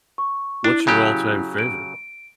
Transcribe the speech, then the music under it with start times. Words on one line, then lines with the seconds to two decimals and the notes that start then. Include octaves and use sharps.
What's your all-time favorite?
0.18 C#6
0.64 D4 E4
0.87 C#3 F#3 G4
1.59 D7